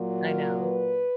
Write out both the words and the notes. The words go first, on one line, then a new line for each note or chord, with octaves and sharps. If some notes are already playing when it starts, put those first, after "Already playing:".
I know.
Already playing: A#2 F#3
A#4
B4